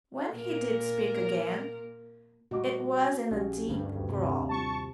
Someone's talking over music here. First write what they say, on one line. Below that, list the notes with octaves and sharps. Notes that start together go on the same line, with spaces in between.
When he DID speak again, it was in a deep growl.
A#2 A#4
A#2 G3 A3 F#4 D#5 D6
A#1 C#4 G4 G#4
D2 G2
D#2
C3
G2 F4 A5 C#6